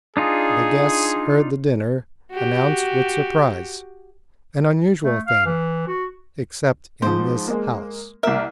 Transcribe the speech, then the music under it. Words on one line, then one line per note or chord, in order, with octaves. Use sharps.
The guests heard the dinner announced with surprise,--an unusual thing, except in this house.
D4 D#4 F4 G#4
F#4 G4
A3
F5
E3
F#4
G#2 F3 C5
G#3 A#3
C2 A#3 A#4 E5